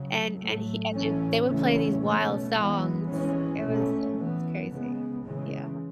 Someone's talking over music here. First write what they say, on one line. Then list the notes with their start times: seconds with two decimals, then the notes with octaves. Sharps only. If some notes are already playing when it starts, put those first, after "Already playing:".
and and he and j they would play these wild songs, it was it was crazy. Yeah.
Already playing: C#3 F#3
0.36 A2 F#3 A3
0.91 A2 E3 A3 C#4
1.45 C#3 E3 A3 C#4
1.99 B2 A3 C#4
2.54 E3 G#3 B3
3.08 E3 G#3 C#4
3.62 B2 A3 C#4
4.16 E3 B3
4.71 C#3 G#3 B3
5.25 C#3 E3 G#3